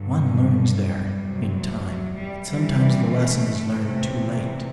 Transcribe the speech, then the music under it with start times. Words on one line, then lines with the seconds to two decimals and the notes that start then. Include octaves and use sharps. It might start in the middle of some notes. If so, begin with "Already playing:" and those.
One learns there--in time--but sometimes the lesson is learned too late.
Already playing: G2 D3 F#3
0.22 G3
1.20 E2 C3 F#3
1.84 F#3
2.16 G3
2.48 G2 E3 G3
3.13 A3
3.78 E2 C3 E3